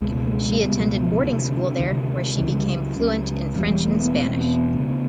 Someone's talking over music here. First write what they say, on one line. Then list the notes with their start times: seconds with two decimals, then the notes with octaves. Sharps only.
She attended boarding school there, where she became fluent in French and Spanish.
0.01 C#2 B2 G#3
0.26 A3
0.31 G#3
0.50 G#3
0.60 C#2 B2 G3
0.80 F#3
1.00 F3
1.20 D2 C3 D#3
1.49 D3
1.57 D#3
1.64 D3
1.78 D2 C3 D#3
2.37 C#2 C#3 E3
2.52 G#3
2.59 G3
2.66 F#3
2.96 C#2 C#3
3.55 E1 E2 B2 G3
3.70 G3
3.85 A3
3.94 A#3
3.99 B3
4.14 E1 E2 B2 B3
4.26 C4
4.38 B3
4.73 D2 C#3